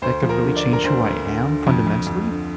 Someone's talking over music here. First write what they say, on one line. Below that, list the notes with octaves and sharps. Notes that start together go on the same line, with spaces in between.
that could really change who I am fundamentally.
D2 C5
F3
A#4
D3
D5
D3
A#4
D2 C5
D2
D2
D3
F2
F2
F2
D3